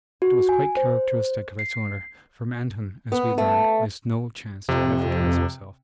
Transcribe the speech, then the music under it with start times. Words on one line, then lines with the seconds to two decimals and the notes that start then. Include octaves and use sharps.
It was quite characteristic of its owner, for Manton, as we learned, missed no chance to advertise himself.
0.22 F#4
0.49 G#5
0.77 C5
1.59 C7
3.12 B3
3.38 A3
4.69 F2 C3